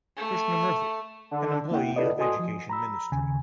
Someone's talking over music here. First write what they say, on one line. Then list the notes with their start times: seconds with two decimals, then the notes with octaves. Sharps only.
Krishnamurthy, an employee of Education Ministry.
0.17 A3
1.31 D3
1.71 A#3 E4 F#5 G5
1.96 E4 F4 A4 B4 D5 D#5
2.18 F#4 A4 D#5 G#5 C6 D#6
2.39 F3
2.70 A#5 B5 E6
3.12 D#2 C#3 G#5